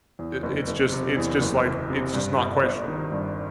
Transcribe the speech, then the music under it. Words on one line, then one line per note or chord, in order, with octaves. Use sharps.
i it's just it's just like it's just not questionable.
E2
F#1
F#1
C3
E2
F#1
F#1
C3
G2
G1
G1
D#3
G2